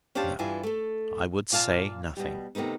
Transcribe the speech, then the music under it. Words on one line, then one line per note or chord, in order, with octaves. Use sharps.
No, I would say nothing.
C#4 D4 G4 C5 F5 A5
G2 E3 D4 E4 F4 G#5
A3 A4
A#2 F4 F5 A5
B2 G3
C3 D#3 A3 B3 D#4